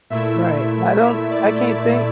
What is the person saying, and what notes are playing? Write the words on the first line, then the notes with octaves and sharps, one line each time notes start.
Right, I don't I can't think
A#2 A3 E4 E5
E5
D5
D5